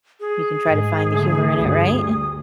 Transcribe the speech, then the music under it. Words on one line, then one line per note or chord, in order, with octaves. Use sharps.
you can try to find the humor in it, right?
G#4
G#2
D3 A3
D2 G2
D#6